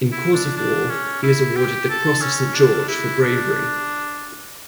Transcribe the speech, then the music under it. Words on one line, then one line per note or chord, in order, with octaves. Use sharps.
In course of war he was awarded the Cross of Saint George for bravery.
E4
D4
D4
C#4
E4
G4
A4
C#4
D4
E4
D4